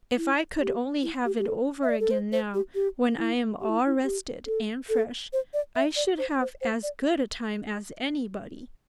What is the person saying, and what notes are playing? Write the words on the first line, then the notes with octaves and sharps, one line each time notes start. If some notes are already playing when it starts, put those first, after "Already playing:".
If I could only have it over again now when I am all rested and fresh, I should have as good a time as anybody.
E4
G4
E4
G4
G4
A4
E5
D5
A4
C5
C5
G4
G4
E4
G4
E4
E4
G4
A4
A4
C5
D5
E5
D5
C5
C5
C5
D5